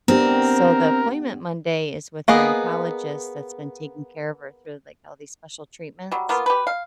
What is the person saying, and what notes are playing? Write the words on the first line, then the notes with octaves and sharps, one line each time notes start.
so the appointment Monday is with her oncologist that's been taking care of her through, like, all these special treatments.
B3 C4 D4 G4 A#4
A#3 B3 G#4 D#5
F#3 G3
A#3 B3 F4
G4 B4
F5